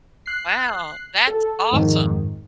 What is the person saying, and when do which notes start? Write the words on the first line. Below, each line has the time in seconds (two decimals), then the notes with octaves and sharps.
Wow! That's awesome!
0.26 F#6 C7
1.27 A4
1.71 F2 G#2 D#3